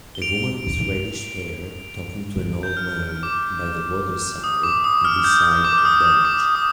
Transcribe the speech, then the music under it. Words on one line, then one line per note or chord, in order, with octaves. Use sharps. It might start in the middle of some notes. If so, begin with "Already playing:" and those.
A woman with reddish hair talking to an old man by the waterside and beside a bench.
G7
D7 F7
G6
F6
G6
F6
D6
D#6
D6
D#6
F6
G6
F6
D6
F6
D#6
D#6
D6
D#6